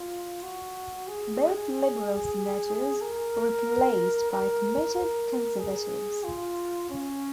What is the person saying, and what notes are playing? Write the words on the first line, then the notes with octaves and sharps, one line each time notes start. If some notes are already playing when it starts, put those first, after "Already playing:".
Both liberal senators were replaced by committed conservatives.
Already playing: F4
F#4
G#4
A#4
A#4
A#4
G#4
F4
C#4